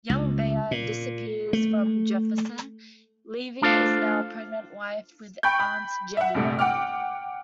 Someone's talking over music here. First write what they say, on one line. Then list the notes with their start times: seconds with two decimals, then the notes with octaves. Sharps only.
Young Bayard disappears from Jefferson, leaving his now pregnant wife with Aunt Jenny.
0.10 C#2
0.71 A#2
1.53 A3
3.62 A3 D4 F4 A4 C5 F5
5.43 G5 B5 C#6 G6
5.60 B5
6.17 E5 F#5
6.34 A#1 G2 C3 A3
6.59 F#5 G5 D6 F6